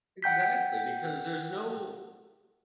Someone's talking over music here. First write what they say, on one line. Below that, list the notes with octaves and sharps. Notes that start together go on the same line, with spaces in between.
Exactly, because there's no
F#5 G5 G6 B6